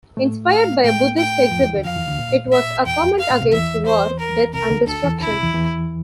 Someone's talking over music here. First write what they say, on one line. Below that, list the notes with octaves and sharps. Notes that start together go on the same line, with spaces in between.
Inspired by a Buddhist exhibit, it was a comment against war, death and destruction.
A2 A3
F5
A2 A3 G5
G5
F2 F3
E2 E3
D2 D3
F2 F3 F5
E2 E3
D2 D3
A#2
E5
E2 G5
F2
F5
A2
C2 C3
E2 E3 E5
C5
A#4
C2 C3 A#4
D2 D3
D2 D3 A4
E2 E3
D2 D3 E4
C2 C3
E2 E3
E2 E3